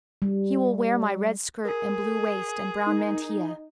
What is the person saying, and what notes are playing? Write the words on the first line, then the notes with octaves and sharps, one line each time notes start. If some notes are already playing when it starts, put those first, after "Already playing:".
He will wear my red skirt and blue waist and brown mantilla.
G3
G#4 A#4
D#4